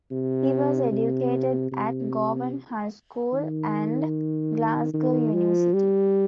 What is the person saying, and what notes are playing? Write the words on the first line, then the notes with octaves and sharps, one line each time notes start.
He was educated at Govan High School and Glasgow University.
C3
C3
C3
D#3
D#3
F3
G3